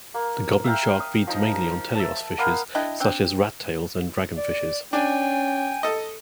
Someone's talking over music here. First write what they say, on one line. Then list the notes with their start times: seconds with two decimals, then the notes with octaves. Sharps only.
The goblin shark feeds mainly on teleost fishes such as rattails and dragonfishes.
0.14 A#3
0.64 E5 F5 G5 A#5
1.00 D#6
1.27 F3 D#4 A#5
1.95 E5 A5
2.38 A#3 B3 F5
2.75 D4 E4 D#5 G5
3.00 C4 D4 G5
4.37 D5
4.93 C#4 D4 G5 G#5
5.83 A4 D#5